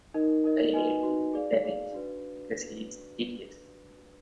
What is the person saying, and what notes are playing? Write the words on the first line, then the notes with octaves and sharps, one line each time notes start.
I hate him with an H, because he is Hideous.
D#4 A#4 D#5
D#4 A#4 D#5
D#4 F#4 B4 D#5 G#5
D#4 F#4 B4 D#5 G#5
G#4 D5 F5
G#4 D5 F5
D4 F#4 B4